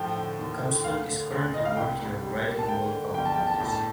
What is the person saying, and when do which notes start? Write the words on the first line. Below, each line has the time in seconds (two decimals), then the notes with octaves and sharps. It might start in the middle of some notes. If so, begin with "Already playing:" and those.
Cumpston is currently working on writing more comedy movies.
Already playing: A2 F3 G5
0.16 D3
0.39 D#2
0.62 D3
0.84 D2 F5
1.08 D3
1.31 D2
1.54 D2 D#5
1.65 F5
1.77 C2 G5
1.99 C2
2.22 G3
2.45 A#3
2.59 A5
2.69 D3 G5
2.92 D3
3.14 G1 G5
3.25 A5
3.36 G1 G5
3.47 A5
3.58 A2 G5
3.68 A5